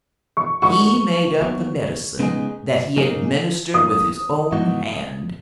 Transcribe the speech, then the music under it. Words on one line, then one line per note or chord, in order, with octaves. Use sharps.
He made up the medicine that he administered with his own hand.
C#6
F#2 D#3 G#3 C#4 F#4 C#6
D#2 D#3 F#3 B3
C#3 G#3 B3 D#4 G#4
C#3 F#3 A#3 D#4 G#4
F#2 D#3 A#3 D#6
G#2 E3 B3 D#4 F#4